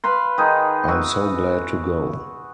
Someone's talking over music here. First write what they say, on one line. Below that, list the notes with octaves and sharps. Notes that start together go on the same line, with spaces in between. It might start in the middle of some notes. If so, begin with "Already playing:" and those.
I'm so glad to go!
B4 F5 B5 C6
D#3 D#4 G#4
F#4 B4 E5